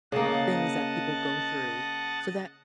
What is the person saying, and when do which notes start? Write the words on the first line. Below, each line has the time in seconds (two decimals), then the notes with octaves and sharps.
things that people go through so that
0.12 C#3 A#3 D#5 F#5 A5